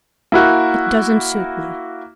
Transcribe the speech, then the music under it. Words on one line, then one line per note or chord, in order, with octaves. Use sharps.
It doesn't suit me.
A#3 E4 F#4